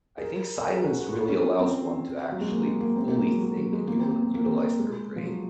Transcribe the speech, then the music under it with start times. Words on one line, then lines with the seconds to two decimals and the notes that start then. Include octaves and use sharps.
I think silence really allows one to actually fully think and u u utilize their brain.
0.18 G#4
0.23 A#4
0.58 A#4
0.68 G#4
0.83 F#4
0.98 F#4
1.09 F#4
1.13 F4
1.29 C#4
1.43 C#4
1.59 C4
2.32 F#3
2.41 G#3
2.51 A#3
2.65 G#3
2.81 A#3
2.96 C4
3.08 A#3
3.19 G#3
3.31 F#3
3.42 F#3
3.57 F#3
3.73 G#3
3.87 A#3
3.99 C4
4.11 A#3
4.22 C4
4.34 A#3
4.45 C4
4.57 A#3
4.79 G#3
5.16 F3
5.25 F#3